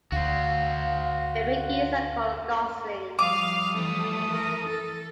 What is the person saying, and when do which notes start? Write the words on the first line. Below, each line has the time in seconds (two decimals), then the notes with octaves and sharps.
Baby geese are called goslings.
0.12 D2 F#4 C5 F5
3.19 F3 G3 F5 D6 D#6
3.74 E3 A3
4.32 A#4
4.66 A4